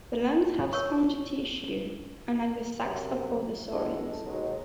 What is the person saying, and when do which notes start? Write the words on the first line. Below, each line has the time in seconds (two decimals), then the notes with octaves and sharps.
The lungs have spongy tissue unlike the sacs of other saurians.
0.73 A#4 C#5 C#6
2.84 F#2 C3
3.72 A1 G2 B2 G#3 A4
4.24 D#2 B2 F#3 G#3 D#4